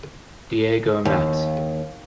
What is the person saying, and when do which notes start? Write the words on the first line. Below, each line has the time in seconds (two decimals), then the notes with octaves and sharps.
Diego Mat.
1.05 D#2